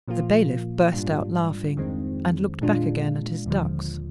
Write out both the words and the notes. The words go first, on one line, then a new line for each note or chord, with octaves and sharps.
The bailiff burst out laughing, and looked back again at his ducks.
A#2 F3 A#3 F4
G#2 G3 D4 F4
F2 D#3 G#3 C4
A#2 G#3 D4 F4
D#2 D3 F3